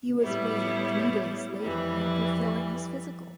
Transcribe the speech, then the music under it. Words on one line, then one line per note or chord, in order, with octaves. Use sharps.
He was waived three days later after failing his physical.
A2 G3 B3 E4
F2 E3 G3